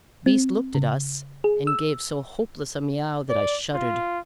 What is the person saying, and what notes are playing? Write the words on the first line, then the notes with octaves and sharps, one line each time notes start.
The beast looked at us and gave so hopeless a miau that I shuddered.
C4
C#3
G#4
E6
D5
F4